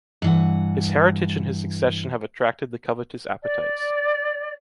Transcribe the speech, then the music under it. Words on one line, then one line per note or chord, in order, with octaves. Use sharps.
His heritage and his succession have attracted the covetous appetites.
G2 E3 F#5
D5